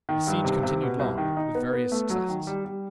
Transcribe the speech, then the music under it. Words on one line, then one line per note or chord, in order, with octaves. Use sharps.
The siege continued long, with various success.
D#3
G2
C3
C3
B2
C2
D#3
D#4
B3
B3
A3
F#3
D#3
G3
G3